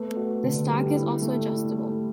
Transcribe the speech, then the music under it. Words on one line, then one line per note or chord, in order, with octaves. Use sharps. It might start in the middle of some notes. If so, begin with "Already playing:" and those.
The stock is also adjustable.
Already playing: A3 B3
F#4
D3
G3
E4
A3
E4
A3